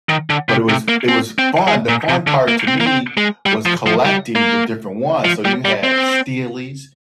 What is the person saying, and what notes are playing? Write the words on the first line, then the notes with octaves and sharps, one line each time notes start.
But it was it was fun the fun part to me was collecting the different ones, so you had steelies,
D#3
D3
C3
C3
A#3
C4
C4
G#3
A#2
C3
D3
A#3
C4
A#3
C4
G#3
G3
F3
F3
G3
A#3
F3
G3
G3
C4